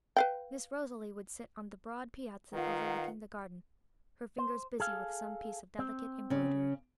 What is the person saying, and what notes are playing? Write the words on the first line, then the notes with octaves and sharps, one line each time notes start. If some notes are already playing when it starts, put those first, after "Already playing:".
Miss Rosalie would sit on the broad piazza overlooking the garden, her fingers busy with some piece of delicate embroidery.
B4 F5 G5
D#3 F4 B4 F5 F#5 A#5
C5
G#4 A4 F5
C4
C#3 C#4